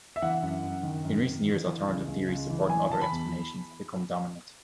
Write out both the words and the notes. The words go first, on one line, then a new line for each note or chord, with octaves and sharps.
In recent years, alternative theories supporting other explanations have become dominant.
E5
E3 F#5
F#2
F#2
D#3
F#2
D#3
E3
E3
C#2
C#2
C#2
E3
E3 G#5
E3 A5
B5
E2